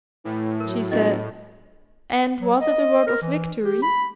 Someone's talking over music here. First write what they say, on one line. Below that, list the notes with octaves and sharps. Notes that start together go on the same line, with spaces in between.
She said, "And was it a word of victory?"
A2 E3
F#3 A#4
G1 D#5
F#3
D#5
A#4
E3
G4
B5